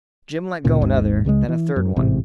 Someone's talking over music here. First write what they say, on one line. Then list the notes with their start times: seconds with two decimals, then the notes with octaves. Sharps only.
Jim let go another, then a third one.
0.65 D2 A#2 C#3
0.81 G#1 D#2 G#2 G#3
1.25 C#2 C#3 G3 G#3
1.48 E3
1.76 F#2
1.96 A1 G#2 C3